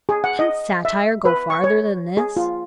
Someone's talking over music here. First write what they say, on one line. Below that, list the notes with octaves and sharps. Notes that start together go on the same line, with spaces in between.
Can satire go farther than this?
G#4
F#5
D#5
E5
B4
C#6
C#5
G#4
F4